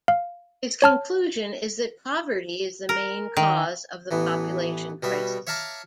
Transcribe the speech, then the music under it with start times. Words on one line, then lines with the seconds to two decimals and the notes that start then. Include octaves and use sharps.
His conclusion is that poverty is the main cause of the population crisis.
0.08 F5
0.82 C#5 A5 F6
2.89 A#4
3.37 D#3
4.11 A1 E3 B3
5.03 B2 G3 B3 E5
5.47 C#5 E5 F5 A5 A#5 D6